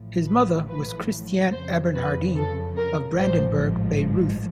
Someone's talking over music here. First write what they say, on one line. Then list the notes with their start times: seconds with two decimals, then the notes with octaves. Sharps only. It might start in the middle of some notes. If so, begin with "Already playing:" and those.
His mother was Christiane Eberhardine of Brandenburg-Bayreuth.
Already playing: A1 A2 F3
0.27 B4
0.68 B4
1.51 F2 C#3 F3 C5
1.94 B4
2.36 A4
2.77 A#4
3.19 A1 G#2 F3 C5